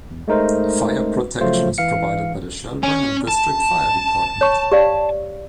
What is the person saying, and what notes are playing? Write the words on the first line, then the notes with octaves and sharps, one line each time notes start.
Fire protection is provided by the Shelburne and District Fire Department.
E2
G#3 A3 D#4 A#4 C5
C#3 F3 F#3 A3 F4 C5
E3 F5 C#7
C#4 G#5
A5
C#5 C#6
G4 D5 F5